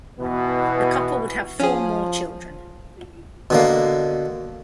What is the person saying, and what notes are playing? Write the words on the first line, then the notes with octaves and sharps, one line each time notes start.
The couple would have four more children.
B2 E3 B3
F3 C#4 G#4
B2 D3 A#3